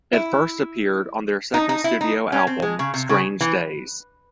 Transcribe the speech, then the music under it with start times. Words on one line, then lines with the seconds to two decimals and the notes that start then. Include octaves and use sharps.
It first appeared on their second studio album "Strange Days".
0.13 E4
1.54 D#4
1.69 D#4
1.84 E4
2.01 D#4
2.32 C#4
2.47 C4
2.62 G#3
2.79 C#3
2.94 C3
3.09 C#3
3.41 E3